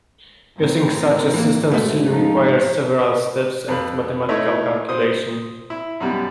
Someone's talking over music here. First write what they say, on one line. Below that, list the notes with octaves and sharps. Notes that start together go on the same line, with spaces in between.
Using such a system still required several steps and mathematical calculation.
A2 C4 A#4
E3 A#3
G#2 B2 A3
F3 D#4
F2 B4 B5
A3 D#4 E4 C#5 D#5
C5 D#6
E4
F#2 B2 G3